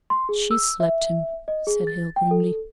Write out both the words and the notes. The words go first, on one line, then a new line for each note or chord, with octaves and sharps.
"She slapped him," said Hale grimly.
C6
G#4
E6
E5
D#5
G#4
A6
G5
A4